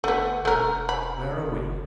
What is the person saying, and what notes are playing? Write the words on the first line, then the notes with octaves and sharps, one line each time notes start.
Where are we?
G1 A3 B3
E1 A3 A#4
B5
F#1